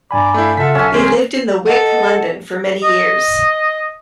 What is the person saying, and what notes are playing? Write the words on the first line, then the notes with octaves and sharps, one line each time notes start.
They lived in The Wick, London, for many years.
G2 D5 G#5 A#5 B5 D6
A3 E4 D5 F5 G6
C#3 F4 A4 E5 F#5 B6
B1 C#4 G#5
D#3 C4 G#4 C6
A4 D#5 F#5 A5
D#5